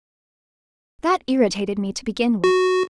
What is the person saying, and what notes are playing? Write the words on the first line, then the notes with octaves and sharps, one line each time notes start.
That irritated me, to begin with.
F#4